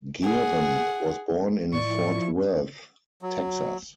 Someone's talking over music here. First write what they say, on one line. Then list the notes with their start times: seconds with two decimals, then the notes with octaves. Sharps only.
Geren was born in Fort Worth, Texas.
0.23 G#4 F#5
1.73 A2 F3 E4 D5 C#6
3.22 F#3